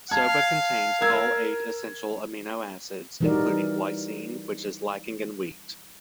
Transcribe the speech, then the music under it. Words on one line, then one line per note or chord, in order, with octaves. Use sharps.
Soba contains all eight essential amino acids, including lysine, which is lacking in wheat.
F5 A5 G#6
A#4 E6 G#6
E3 G3 D#4 F#4 A#4 D5